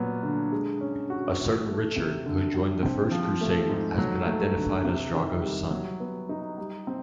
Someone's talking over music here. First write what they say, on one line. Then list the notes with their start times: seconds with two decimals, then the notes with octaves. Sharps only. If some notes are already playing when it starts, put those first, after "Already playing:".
A certain Richard, who joined the First Crusade, has been identified as Drogo's son.
Already playing: A#2 F#3 B3
0.23 D3
0.52 G#3
0.81 C#4
1.10 F#4
1.39 E3
1.68 A3
1.96 C3
2.26 D3
2.54 G3
2.83 C4
3.11 F3
3.41 A3
3.69 G#2
3.98 F#3
4.27 A3
4.56 D3
4.84 C3
5.14 D#3
5.42 G3
5.71 F#3
6.00 B3
6.29 D#4
6.58 G3
6.87 C4